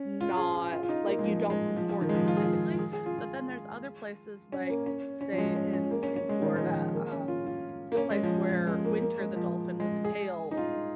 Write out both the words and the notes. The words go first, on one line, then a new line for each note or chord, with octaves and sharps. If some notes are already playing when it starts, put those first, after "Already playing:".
not like you don't support specifically, but then there's other places, like, say in in Florida, um, the place where Winter the dolphin with the tail
Already playing: C#4
F4
G#4
G#4
F4
F4
D#4
A#3
G#3
F3
G#3
F3
F3
D#3
G#3
F3
F4
G#4
F4
G#4
G#4
F4
F4
C#4
A#3
C#4
C#4
F3
G#3
C#4
C#4
A#3
C#4
C#4
G#3
D#3
G#3
F3
F3
A#3
C#4
F4
F4
A#3
C#4
G#3
F3
F3
G#3
A#3
A#3
G#3
F3
G#3
G#4
D#4
F4